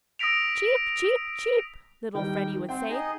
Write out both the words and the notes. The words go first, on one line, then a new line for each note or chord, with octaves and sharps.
"Cheep, cheep, cheep!" little Freddy would say.
D#6 E6 A#6 B6 D7 F7
D#3 G3 G5
C4 C5 F#5 G5
D#4 G#4 D#5